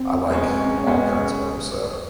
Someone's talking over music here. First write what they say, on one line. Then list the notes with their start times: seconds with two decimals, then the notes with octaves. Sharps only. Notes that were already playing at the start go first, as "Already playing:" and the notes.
I like all kinds of 'em, so,
Already playing: C4
0.31 C#2 B2 G#3 C#4
0.86 B2 G#3 B3 C#4